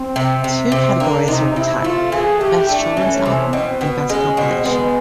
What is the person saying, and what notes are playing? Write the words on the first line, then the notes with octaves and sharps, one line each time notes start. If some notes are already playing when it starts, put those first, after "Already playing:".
Two categories were retired 'Best Children's Album', and 'Best Compilation'.
Already playing: C4
C3
C3
C3 C4
A#3 D4
C3 D#4
C3 E4
A3 F4
E3 G#4
A3 G4
A3 D4
E3 C#4
C3
B2 C4
B2 B3
G#3 C#4
B2 C4
G#3 B3